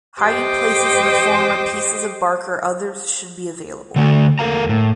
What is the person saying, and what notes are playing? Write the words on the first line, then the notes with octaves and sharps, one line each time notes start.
Hiding places in the form of pieces of bark or others should be available.
G4 C5 D#5 G5 D6
D3 A3 A4
E2 A#3 A4 A#4 F5 A#5
A2